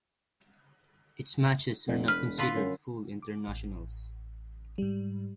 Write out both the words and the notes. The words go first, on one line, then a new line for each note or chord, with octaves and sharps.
Its matches are not considered full internationals.
F1
E1 B4 F6
D3 F4 B4
F#2
D6
A1
G#2 G3